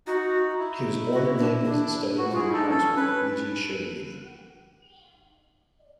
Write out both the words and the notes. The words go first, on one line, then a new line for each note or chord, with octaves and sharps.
He was born in Naples and studied in Paris with Luigi Cherubini.
D#4 F#4
E4
F#4
D4
D4
F#4
F4 G#4
E4
D#4 A4
D4
C#4 A4
C#4 B4